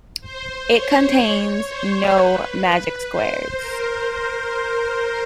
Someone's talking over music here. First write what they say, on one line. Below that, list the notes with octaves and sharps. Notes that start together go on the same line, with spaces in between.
It contains "no" magic squares.
C5
C#5
C5
B4
C5
A#4